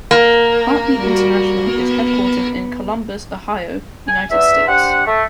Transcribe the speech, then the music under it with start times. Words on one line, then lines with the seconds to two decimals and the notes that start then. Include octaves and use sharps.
Heartbeat International is headquartered in Columbus, Ohio, United States.
0.11 A#3
0.97 G3 F#4
1.72 B3
4.08 G#5
4.30 E2 E5
4.68 D4 G4 C5 F#5
5.06 A3